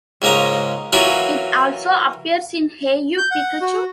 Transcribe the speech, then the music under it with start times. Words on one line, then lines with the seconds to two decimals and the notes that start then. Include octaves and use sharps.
It also appears in Hey You, Pikachu!
0.22 C#2 G#2 A#3 C#4 A#5
0.93 E3 F#3 A#3 C#4 E4 F4
3.18 G6
3.31 F#5
3.61 F#4